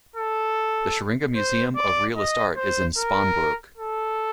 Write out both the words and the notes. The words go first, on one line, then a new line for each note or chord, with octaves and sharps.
The Scheringa Museum of Realist Art is in Spanbroek.
A4
C5
D5
D#5
C5
A#4
A4